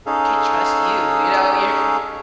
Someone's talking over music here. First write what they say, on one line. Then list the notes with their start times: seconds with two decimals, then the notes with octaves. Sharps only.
can't trust you." you know? You're
0.06 C#4 D#4 G#4 A4 F5